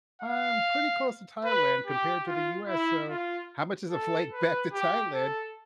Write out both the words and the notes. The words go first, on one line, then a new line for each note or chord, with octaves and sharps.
"I'm pretty close to Thailand, compared to the US, so how much is a flight back to Thailand?"
F5
B4
G4
F4
E4
F4
A4
B4
G4
A4